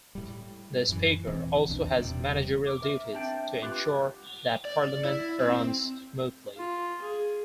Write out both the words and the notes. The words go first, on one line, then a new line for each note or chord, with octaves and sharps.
The Speaker also has managerial duties to ensure that Parliament runs smoothly.
A2 G3
F#2 E3
E1 A2 E3 C4
B1 E2 D#3 D4
E1 E2 C3 G3
D6
A#4 E5
C4 D4 G5
F4 G4 B4
D5
E4
C4
F4
G#4